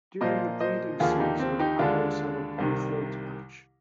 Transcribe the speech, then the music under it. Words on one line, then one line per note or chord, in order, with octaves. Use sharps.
During the breeding season, adults have a blue throat patch.
A#2 F3 A#3 C5 D#5
C5 D#5
D#2 D3 F3 A#3 F4 G#4
D#4 G4
C4
D#4 G4
D#2 D3 G#3 D4 F4
C2 C3 D#3